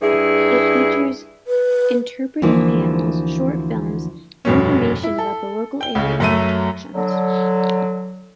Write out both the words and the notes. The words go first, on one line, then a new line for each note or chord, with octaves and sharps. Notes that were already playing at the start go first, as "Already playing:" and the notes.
It features interpretive panels, short films, and information about the local area and attractions.
G2 E4 G#4
B4
D2 E3 F3 A#3
F1 G2 B2 C#4
E4
A4
G5 G7
C#2 C#3
F#2 F#3 A3 E5 D#7
D3 F#3